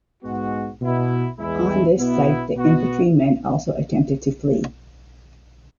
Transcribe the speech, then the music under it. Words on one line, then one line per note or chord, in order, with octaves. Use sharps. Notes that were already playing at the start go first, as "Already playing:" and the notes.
On this sight, the infantrymen also attempted to flee.
G#2 G#3 B3 F#4
B2 B3 E4
E2 E3 G#3 E4
B2 B3 E4
B2 B3 F#4